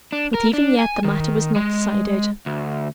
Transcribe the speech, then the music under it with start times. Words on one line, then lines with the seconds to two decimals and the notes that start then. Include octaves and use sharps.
But even yet the matter was not decided.
0.12 D4
0.34 A#4
0.53 D4
0.79 G#5
1.05 D#3
1.56 G#3
2.46 D2